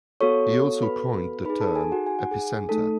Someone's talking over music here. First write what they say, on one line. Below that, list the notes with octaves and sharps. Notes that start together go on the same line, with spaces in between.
He also coined the term "epicentre".
B3 F#4 A4 C#5 C#6
B4 B5
D#4 G#4 B4 B5
A4 A5
G#4 G#5
F#4 F#5
G#5
F#5
G#4 G#5
A3 D#4 A4 A5